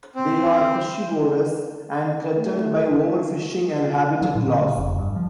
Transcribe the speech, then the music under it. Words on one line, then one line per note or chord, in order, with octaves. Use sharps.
They are piscivorous, and threatened by overfishing and habitat loss.
C4
A3
F#3
A#2
D3
C#3
F1
G2
F3